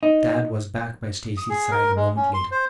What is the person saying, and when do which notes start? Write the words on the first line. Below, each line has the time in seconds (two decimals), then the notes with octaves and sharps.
Tad was back by Stacy's side a moment later.
0.03 D#4
1.37 D#6
1.50 G#4
1.71 A#4
1.96 G#3
2.16 C#4
2.34 C6
2.51 C5